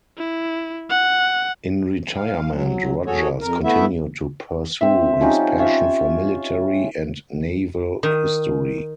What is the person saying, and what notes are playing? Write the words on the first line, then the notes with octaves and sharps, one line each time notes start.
In retirement, Rodgers continued to pursue his passion for military and naval history.
E4
F#5
F5
F#3
F#4 G#4 A4 C#5
F2 A#4
A3 B3 E4 E5
C4 E5
F3 C#4 D#4 G4
F4 C#5 E5
D#3